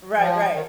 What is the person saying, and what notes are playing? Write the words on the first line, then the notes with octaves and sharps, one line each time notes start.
Right, right.
F3
D#3